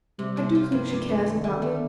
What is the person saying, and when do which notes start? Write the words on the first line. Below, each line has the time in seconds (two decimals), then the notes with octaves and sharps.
I do think she cares about me.
0.19 C3 G3
0.37 C3
0.55 F4
0.72 G2 F3
0.90 G2
1.09 G2
1.26 D#3 A3
1.44 D3
1.62 A3